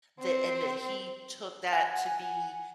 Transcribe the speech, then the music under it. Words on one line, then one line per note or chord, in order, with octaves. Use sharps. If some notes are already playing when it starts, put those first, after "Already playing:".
that and that he took that to be
C4
F#5 G#5